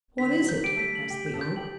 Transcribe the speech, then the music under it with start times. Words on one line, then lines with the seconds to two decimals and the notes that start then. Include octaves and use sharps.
"What is it?" asked the Oak.
0.18 D3 D4 B6
0.33 F#7
0.41 F#3 F#4
0.49 G6
0.64 G3 G4 D7
0.76 A3 A4 B6
0.95 F#7
1.10 G4 G5 D7
1.26 G6
1.33 A4 A5
1.41 G6
1.56 G4 G5 F#7